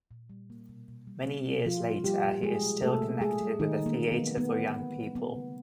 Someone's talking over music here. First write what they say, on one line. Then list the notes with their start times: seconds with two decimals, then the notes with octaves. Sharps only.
Many years later, he is still connected with the Theatre for Young People.
0.11 A#2
0.30 G3
0.50 A#3
0.69 B2
0.88 B2
1.07 G3
1.27 A#3
1.46 B2
1.66 B2 F3 F4
1.85 G3
2.04 G3 A#3 G4
2.24 A#2
2.43 A#2 G#3 G#4
2.64 G3
2.82 A3 A#3 A4
3.02 A#2
3.21 A#2 G#3 G#4
3.41 G3
3.59 D#3 A3 D#4
3.79 D3
3.86 A#3
3.99 D3
4.12 B3
4.18 F#3
4.37 A3 B3
4.57 D3
4.77 D3
4.97 F#3
5.15 G3 B3
5.35 C#3